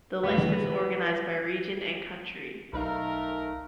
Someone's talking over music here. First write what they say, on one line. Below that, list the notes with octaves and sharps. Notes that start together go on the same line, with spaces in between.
The list is organized by region and country.
C#2 A2 B3 F5
E3 G3
B1 A3 D#4 A#4 F5